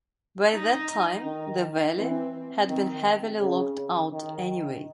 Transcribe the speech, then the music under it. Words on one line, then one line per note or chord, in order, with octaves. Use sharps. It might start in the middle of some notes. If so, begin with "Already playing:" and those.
By that time, the valley had been heavily logged out anyway.
D#4
D#3
E3 C4
D#3 C4
C#3
D#3